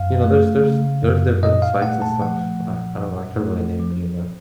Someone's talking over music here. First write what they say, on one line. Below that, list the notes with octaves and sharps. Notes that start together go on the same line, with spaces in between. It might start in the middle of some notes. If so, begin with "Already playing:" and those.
you know, there's there's there's different sites and stuff, I I don't know, I couldn't really name any of that.
Already playing: F#2 F5
A3
C#3
F#2
A#2 D#5
F5
A3 F#5
A5
F3 F#5
A#2
F#2
A3
F3